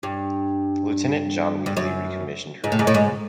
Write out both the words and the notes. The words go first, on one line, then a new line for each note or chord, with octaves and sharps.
Lieutenant John Wheatley recommissioned her in June.
G2
G2
F#2
G#2
A2
G#2
A2
G#2